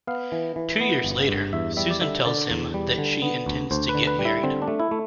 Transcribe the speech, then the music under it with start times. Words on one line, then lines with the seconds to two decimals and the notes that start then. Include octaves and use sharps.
Two years later, Susan tells him that she intends to get married.
0.07 B3 F5
0.32 E3
0.56 E3
0.81 B3
1.04 G1
1.29 G2
1.53 E2 E5
1.77 G3 E5
1.91 D5
2.01 D3 E5
2.26 D3 D5
2.50 E2
2.74 G3
2.98 D3
3.22 B3
3.46 D2
3.71 D2 C5
3.89 B4
3.95 D3
4.07 B4
4.19 G3
4.25 E4
4.44 D3 C4
4.62 D4
4.68 A3
4.80 E4
4.91 A3